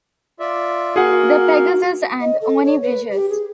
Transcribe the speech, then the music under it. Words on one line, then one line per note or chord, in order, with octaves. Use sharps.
The Pegasus and Orne Bridges.
F4 D5 E5
A#3 F#4 G#4 A#4 F#5
D#5
A4
C#5
B4
G4
G#4